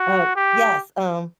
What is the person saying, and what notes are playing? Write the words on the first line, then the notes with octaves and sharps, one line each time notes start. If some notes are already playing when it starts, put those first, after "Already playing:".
Oh, yes, um
Already playing: F#4
G4